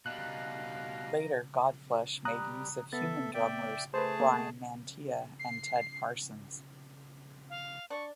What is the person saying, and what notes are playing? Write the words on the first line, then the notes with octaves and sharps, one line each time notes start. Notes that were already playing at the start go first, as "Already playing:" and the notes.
Later, Godflesh made use of human drummers Bryan Mantia and Ted Parsons.
B2 G3 D#4 F5 F#6
G3 A#5 D#6 F#6
B3 A4 E5 A6
D5 E5 G5
A3 G#4 B4 C5 A5
A#3
C7
F5
D4 C#6